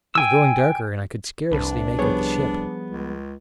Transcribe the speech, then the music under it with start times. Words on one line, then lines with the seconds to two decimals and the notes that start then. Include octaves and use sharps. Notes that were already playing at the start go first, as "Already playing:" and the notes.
It was growing darker, and I could scarcely make out the ship.
0.15 G5 G#5 E6
1.52 C2 F2 D4 B4
1.99 F3 G3 B3 G#4 C#5
2.90 C#2